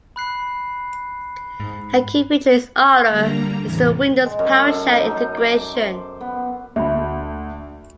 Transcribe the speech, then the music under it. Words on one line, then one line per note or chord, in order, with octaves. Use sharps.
A key feature is Otter is the Windows PowerShell integration.
B5 F#6 C7
G#2
D3 G3 A#3 A#5
E2 A2 C3 E3
G#3
F#2
A4
D#4
F#2
D6
C5
B3
D2 E5 B5